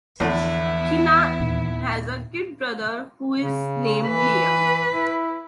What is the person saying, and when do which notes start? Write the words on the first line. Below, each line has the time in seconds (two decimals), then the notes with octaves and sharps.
Keenan has a kid brother who is named Liam.
0.20 E2 A2 D3 F3 A3 B3 E4
1.39 D#2 A#2
3.41 C#3
4.08 E3 B4
4.93 E4